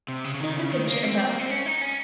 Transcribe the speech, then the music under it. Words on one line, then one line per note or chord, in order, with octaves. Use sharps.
See the picture above.
C3
C#3
C#3
D#3
C#3
D#3
A#3
C4
A#3
C4
C#4
D#4
C#4